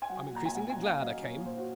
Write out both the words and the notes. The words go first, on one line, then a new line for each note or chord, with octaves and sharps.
I’m increasingly glad I came.
G#5
F#3 F#5
A#2 A#5
G#5
A#2 F#5
G#5
C#4
F5
F#3 D#5
A#2 C#5
A#2 C5
F#4